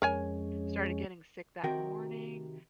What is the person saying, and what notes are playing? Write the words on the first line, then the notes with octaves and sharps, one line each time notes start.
started getting sick that morning,
F2 G#3 C#4 A#4 C#5 G#5
C3 D#3 F#4 A#4 G5